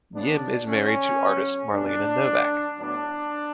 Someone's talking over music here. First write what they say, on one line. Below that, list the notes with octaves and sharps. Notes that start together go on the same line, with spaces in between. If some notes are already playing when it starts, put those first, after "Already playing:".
Yim is married to artist Marlena Novak.
C#3 G#3 B3 D4
D3 A3 C#4
C#3 F#3 B3
B2 A3 D4
D3 F#3 A3
A2 F#3 B3 D4